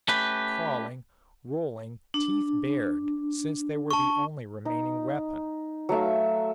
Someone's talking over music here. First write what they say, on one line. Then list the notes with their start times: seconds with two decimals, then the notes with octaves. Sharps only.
Crawling, rolling, teeth bared, since they were the only remaining weapon.
0.08 A3 C#4 G4 B4
2.14 D4
3.91 A5 C#6
4.65 D#4
5.89 F#3 A3 E5 F5